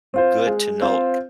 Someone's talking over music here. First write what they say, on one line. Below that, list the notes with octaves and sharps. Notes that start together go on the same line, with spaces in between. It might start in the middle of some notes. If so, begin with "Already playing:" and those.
good to note,
C4 F4 C5
G#3
C4 F4 C5